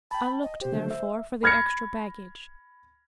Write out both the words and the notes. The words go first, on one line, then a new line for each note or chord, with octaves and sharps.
I looked, therefore, for the extra baggage.
G5 A5 B5
D#5
B2 G4 C5
D3 F#3 A3
E5
B5 F6 G#6 A#6 C#7